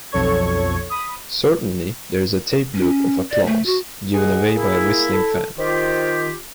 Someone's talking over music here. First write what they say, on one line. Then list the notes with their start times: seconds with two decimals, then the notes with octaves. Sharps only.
Certainly there is a tape-loop of applause, given away by a whistling fan.
0.12 B1 F2 A4 C#5 C#6 G#6
0.90 B5 D#6
2.75 C#4
3.31 D5
3.46 A3
3.66 F#4
4.14 G#4 A#4 D#5 F#5
4.56 A#3 E4
5.13 A4
5.58 D#3 F4 G4 C5